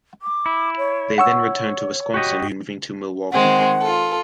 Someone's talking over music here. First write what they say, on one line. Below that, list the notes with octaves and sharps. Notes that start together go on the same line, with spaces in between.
They then returned to Wisconsin, moving to Milwaukee.
D6
E4
C#5
C#5 F#5 C#6 E6
F#4 G4 D#5
D#3 G#3 C4 F#5
F4 A4